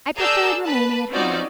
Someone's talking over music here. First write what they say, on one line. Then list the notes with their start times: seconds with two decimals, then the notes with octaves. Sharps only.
I preferred remaining at home.
0.16 G#4 A#4 D5 A5 E6 G6
0.65 B4 A5
1.11 C4 C#4 D#4 F4 F#4 D5